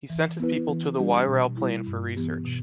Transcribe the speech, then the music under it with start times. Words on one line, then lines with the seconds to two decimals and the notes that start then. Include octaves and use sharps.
He sent his people to the Wairau Plain for research.
0.10 E3
0.40 B3 E4 B4
0.69 E3
0.98 G3 D4 G4
1.28 B2
1.57 G3 E4
1.87 G2
2.16 E3 B3 G4
2.45 B2